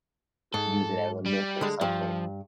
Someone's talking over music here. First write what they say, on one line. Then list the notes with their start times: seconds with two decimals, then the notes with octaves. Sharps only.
use it as a nook or something.
0.54 G#2 A4
1.26 G3
1.61 D3 G#3
1.81 G2 F3